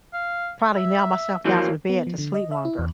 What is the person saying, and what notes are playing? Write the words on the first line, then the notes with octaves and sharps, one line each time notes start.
probably nail myself down to the bed to sleep longer.
F5
E5
E3 F#3 A#3 C5
B3
F3
D3
D#5
E5
E4
E2